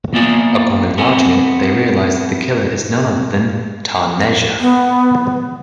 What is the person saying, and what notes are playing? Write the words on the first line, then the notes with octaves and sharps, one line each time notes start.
Upon enlarging it, they realize that the killer is none other than Tarneja.
A#3 B3 F4 D5 E5 G#5
B3 C4 G#5
B3